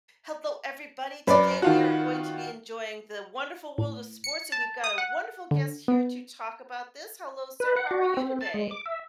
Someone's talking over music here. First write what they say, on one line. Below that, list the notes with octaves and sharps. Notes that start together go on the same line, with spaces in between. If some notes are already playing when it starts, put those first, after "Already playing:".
Hello, everybody. Today, we are going to be enjoying the wonderful world of sports, and we've got a wonderful guest here to talk about this. Hello, sir, how are you today?
F#2 B4 D5
D#3 F4 F#4
A2
C#7
A5
D#6
F#5
D3
B3
B4
F#5
F#4
C4
A5
G#3
D6
E5